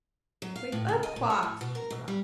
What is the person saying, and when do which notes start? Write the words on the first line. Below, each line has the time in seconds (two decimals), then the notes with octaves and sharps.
"Wake up, Quox!" she cried.
0.42 F#3
0.56 F5
0.72 A2
0.88 C#3
1.03 D#5
1.16 A#2
1.30 C#5
1.43 A2
1.61 B2
1.75 A#4
1.90 B2
2.08 G3